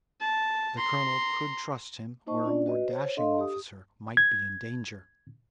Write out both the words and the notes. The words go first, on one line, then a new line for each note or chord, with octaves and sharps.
The colonel could trust him where a more dashing officer might be in danger.
A5
A#5 C6
A#3 D#4 C5 D#5 A5 C#6
C#4 D4 F4 D5
F#4 B4 D#5
C5 C#5
D4 A4 D#5 F5 C6
G4 D#6
G#6